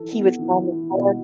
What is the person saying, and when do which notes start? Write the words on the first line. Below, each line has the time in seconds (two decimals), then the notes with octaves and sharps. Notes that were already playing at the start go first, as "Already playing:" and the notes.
he would fall on the floor.
Already playing: E3 A4
0.12 B3
0.39 E3
0.64 E3
0.90 B2